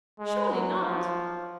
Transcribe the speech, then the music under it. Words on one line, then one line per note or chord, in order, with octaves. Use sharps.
"Surely not?"
G#3
F#3
F3